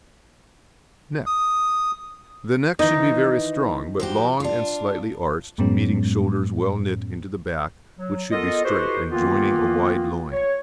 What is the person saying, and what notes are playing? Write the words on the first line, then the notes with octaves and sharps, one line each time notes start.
NECK--The neck should be very strong, but long and slightly arched, meeting shoulders well knit into the back, which should be straight and joining a wide loin.
D#6
D#3 E3 D#4
F3 F#4 G4
D4 F4
F#2 A2 F#3 G#3 B3 C#4
F#3
B3 F4 A4 A#4 D#5
E4 F#4 G4 A4 B4 C5
D#3 E3 A#3 B3 F4
C#5